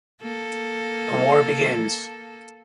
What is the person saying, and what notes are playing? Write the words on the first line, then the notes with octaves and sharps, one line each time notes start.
The war begins.
A#3 A4